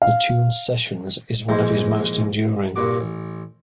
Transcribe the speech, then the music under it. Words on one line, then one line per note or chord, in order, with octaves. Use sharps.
The tune "Sessions" is one of his most enduring.
F5
A#1 G#2 E3 G#3 C5
C2 G2 A#2 F#4 D6
A1